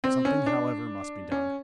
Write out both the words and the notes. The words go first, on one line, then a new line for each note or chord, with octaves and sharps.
Something, however, must be done.
C4
C#4
D4
C#4